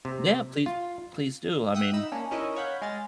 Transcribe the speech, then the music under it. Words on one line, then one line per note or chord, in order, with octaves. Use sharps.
Yeah, please please do. I mean
C3
F4
E5 F#5 G5 D#6 E6 F#6
D#4 B5 E6
A#3 C#4 D4
C#4 D#4 E4 A#4 D#5
C#5 F5 F#5 B5 G6
G#3 F6 A6